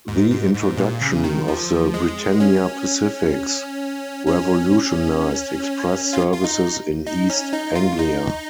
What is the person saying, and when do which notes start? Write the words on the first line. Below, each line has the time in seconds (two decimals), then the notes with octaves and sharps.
The introduction of the Britannia Pacifics revolutionised express services in East Anglia.
0.08 G#2
0.31 G#2
0.54 G#2
0.77 A#2
1.01 C#3
1.24 D#3
1.48 F3
1.94 G#3
2.40 C#4
4.27 C#4
6.13 F4
6.33 F4
6.44 D#4
7.07 D#4
7.30 C#4
7.53 D#4
7.75 F4
7.99 D#4